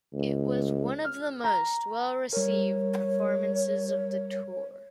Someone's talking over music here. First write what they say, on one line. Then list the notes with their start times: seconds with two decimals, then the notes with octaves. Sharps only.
It was one of the most well received performances of the tour.
0.13 C#2
1.04 F6
1.44 A#5
2.33 G3 A#4 C#5